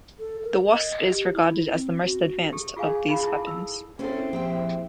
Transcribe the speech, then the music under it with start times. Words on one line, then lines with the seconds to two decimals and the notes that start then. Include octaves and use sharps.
The Wasp is regarded as the most advanced of these weapons.
0.19 A4
0.44 A#4
0.68 D#5
1.07 G4
1.33 E4
1.73 C4
2.02 F#4
2.53 G4 A4
2.77 F4 G#4 F5 G#5
3.08 D#4 F4 G#4 F5 B5
3.24 E4 A5
3.43 A4 E6
3.99 C4 C#4 E4 F4 G#4 A4 C5
4.33 F3 A#3 E4 G4 G#4 G5